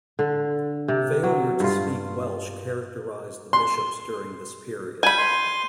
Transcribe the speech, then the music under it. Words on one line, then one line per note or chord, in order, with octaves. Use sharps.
Failure to speak Welsh characterised the bishops during this period.
D3
C3
F#3
G2 F4
C6
G#5 B5 G6 D#7
C6